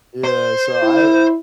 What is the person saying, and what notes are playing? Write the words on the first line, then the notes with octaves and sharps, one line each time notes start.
yeah, so, I, w
C5
E4